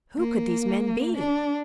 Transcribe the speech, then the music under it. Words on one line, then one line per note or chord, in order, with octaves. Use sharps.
Who could these men be?
A#3
D4